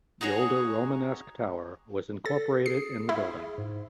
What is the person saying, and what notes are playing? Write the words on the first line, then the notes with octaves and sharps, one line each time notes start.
The older Romanesque Tower was incorporated in the building.
D#4 F#4 G#4 C#5
A4 A6
G#4 C7
E4
G#2